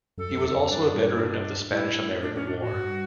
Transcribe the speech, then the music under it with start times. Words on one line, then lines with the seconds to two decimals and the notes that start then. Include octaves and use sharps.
He was also a veteran of the Spanish-American War.
0.18 F#2 A4
0.30 F#2
0.44 E2
0.56 F#2
0.69 G2 D4
0.81 F#2
0.92 G2
1.13 E4
1.20 D4
1.71 A2 E4
2.22 D4
2.35 C#4
2.47 D4
2.60 F#4
2.73 G2